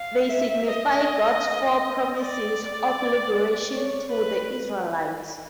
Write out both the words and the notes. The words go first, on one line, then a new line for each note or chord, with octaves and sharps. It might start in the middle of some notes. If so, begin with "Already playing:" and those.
They signify God’s four promises of liberation to the Israelites.
Already playing: F5
E5
D#5
D5
C#5
B4